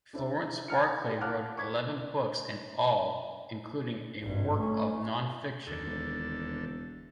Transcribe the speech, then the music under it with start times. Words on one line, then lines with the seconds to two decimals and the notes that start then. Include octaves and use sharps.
Florence Barclay wrote eleven books in all, including a work of non-fiction.
0.13 D4 E4 C5 E5
0.68 F#5 A#5 F6 C#7
1.21 F5 F#5 A5 D6 F6 F#6
1.57 C#6 D6 G#6 B6
4.22 G#1 G2
4.57 A3 C#4
5.67 D#2 D3 A4
5.86 E1